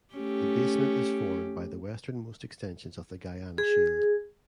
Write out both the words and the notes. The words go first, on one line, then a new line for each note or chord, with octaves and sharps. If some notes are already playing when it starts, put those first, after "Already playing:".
The basement is formed by the westernmost extensions of the Guiana Shield.
A3 C#4 G4
G#4